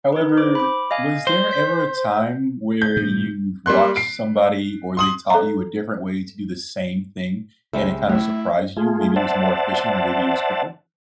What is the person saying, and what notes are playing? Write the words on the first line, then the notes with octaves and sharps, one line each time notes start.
However, was there ever a time where you've watched somebody, or they taught you a different way to do the same thing, and it kinda surprised you, maybe it was more efficient or maybe it was quicker?
D#4 B4
C5 D6
B5 D6
D#5 F5 G#5
C5
G6 B6
G6
A2 C3 E3
G3 A#3 C6 F#6
C7 D7
C6 D#6 F#7
A4 A#5
C#2 G3 G#3 E5
A3 E4
A3 F4 G#4
C5 D5 E5 F#5 A5